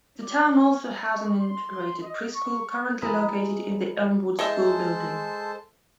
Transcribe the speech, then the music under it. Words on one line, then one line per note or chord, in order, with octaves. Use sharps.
The town also has an integrated preschool currently located in the Elmwood School building.
D5
C#4
C#6
C6
D#5
C#6
G#3 E4 B4 A#5 D#6 F6
E3 G#3 A4 C5 D#5 E5 A5